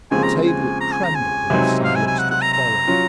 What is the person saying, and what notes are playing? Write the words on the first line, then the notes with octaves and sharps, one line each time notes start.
The table trembled in the silence that followed.
D#2 C#3 F3 G#3 C4 G#5
A#5
G#5
A#5
G#5
A#5
G#5
C#2 C3 F#3 C4 D#4
F5
G#5
G#5
F#5
F#5
A#5
A#5
F#3 C#4 F4